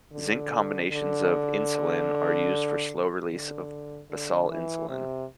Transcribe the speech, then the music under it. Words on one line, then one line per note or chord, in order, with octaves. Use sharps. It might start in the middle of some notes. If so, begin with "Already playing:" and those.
Zinc combinations of insulin are used for slow release of basal insulin.
D3
D3
D3
D3
E3
C3